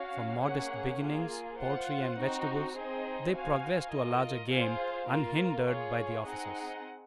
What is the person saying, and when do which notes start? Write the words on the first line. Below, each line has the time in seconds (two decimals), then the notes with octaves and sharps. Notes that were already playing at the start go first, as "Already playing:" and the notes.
From modest beginnings--poultry and vegetables--they progressed to larger game, unhindered by the officers.
Already playing: C#4 F#4 C#5 F5
0.42 A#3 C#4 G#4 C#5 F#5
0.99 A#3 F4 G#4
1.58 F4 C5 F#5
2.16 C4 D#4 F#4
2.74 C4 D#4 G#4 C5 D#5
3.33 F#4 C5 F5 G#5
3.91 F4 A#4 D#5
4.49 F4 G#4 C5 F5
5.08 A#3 F4 A#4
5.66 F4 G#4 C#5
6.24 C4 D#4 G#4 D#5 F#5